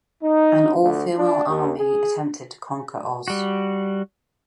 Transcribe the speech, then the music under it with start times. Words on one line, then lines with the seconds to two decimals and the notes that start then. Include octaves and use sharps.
An all female army attempted to conquer Oz.
0.22 D#4
0.82 D2
1.17 D4
1.48 D#2
1.77 G#4
3.28 G3 F#4